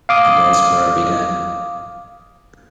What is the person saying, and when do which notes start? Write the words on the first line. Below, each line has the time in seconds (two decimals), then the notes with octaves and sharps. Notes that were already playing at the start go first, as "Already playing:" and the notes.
The diaspora began.
0.09 F5 D6 D#6